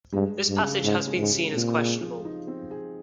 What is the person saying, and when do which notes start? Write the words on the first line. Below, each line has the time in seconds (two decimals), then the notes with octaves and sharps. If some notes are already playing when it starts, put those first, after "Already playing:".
This passage has been seen as questionable.
0.13 G2 G#3
0.37 G4
0.49 G2
0.60 C#3
0.84 G#2 C#4
1.07 G#3
1.19 G#2
1.31 G4
1.54 A#2 C4
1.77 G#4
2.01 F3
2.25 D#4
2.47 C4
2.71 G#4